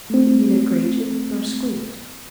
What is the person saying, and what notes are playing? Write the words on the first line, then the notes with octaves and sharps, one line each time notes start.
It neither grated nor squeaked.
A3 C4